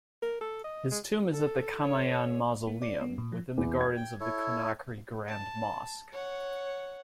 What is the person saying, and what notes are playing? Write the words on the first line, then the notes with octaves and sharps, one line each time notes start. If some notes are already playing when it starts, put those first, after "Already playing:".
His tomb is at the Camayanne Mausoleum, within the gardens of Conakry Grand Mosque.
A#4
A4
D#5
G#3
A4
C#5
A#3
D5
B3
A#2
F3
E2
G#6
G5
E4 A4 C#5
A5
C#5 F#5